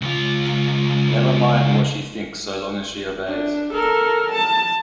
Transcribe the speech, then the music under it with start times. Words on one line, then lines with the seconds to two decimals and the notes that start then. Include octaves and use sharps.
Never mind what she thinks so long as she obeys.
0.02 C#2 F4
3.27 D4
3.74 A4 A#4
4.33 A5